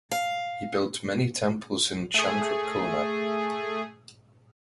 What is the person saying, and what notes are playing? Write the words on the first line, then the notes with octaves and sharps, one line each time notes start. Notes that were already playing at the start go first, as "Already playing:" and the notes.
He built many temples in Chandrakona.
F5
A3 G#4